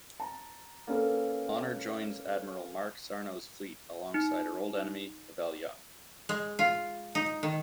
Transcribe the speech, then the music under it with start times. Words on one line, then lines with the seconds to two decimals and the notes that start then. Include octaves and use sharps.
Honor joins Admiral Mark Sarnow's fleet alongside her old enemy, Pavel Young.
0.20 A5 A#5
0.87 A#3 C#4 A4 B4
4.14 D#4
6.29 G#3
6.59 F4
7.15 D#4
7.43 D#3